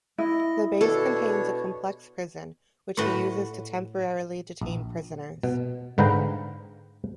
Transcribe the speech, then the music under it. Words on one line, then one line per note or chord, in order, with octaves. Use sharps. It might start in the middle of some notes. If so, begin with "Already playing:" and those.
The base contains a complex prison, which he uses to temporarily detain prisoners.
E4 D#5
B2 D4 A4 C#5
A2 F#4 B4 F#5
A#1
B2
G#2 D3 B4 F5 G5 A#5